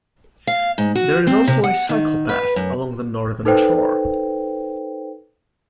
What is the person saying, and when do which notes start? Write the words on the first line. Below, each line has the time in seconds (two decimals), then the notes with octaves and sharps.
There is also a cycle path along the northern shore.
0.47 F5
0.78 G#2
0.95 F#4
1.27 C4
1.47 C3
1.64 F#5
1.89 D#3
2.29 B4
2.56 F#2
3.45 D#4 A4 B4 C5 G5